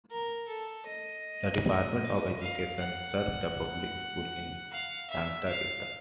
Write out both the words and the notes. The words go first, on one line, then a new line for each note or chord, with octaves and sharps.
The Department of Education serves the public schools in Santa Rita.
A#4
A4
D#5
F5
F#5
F5
E5
F5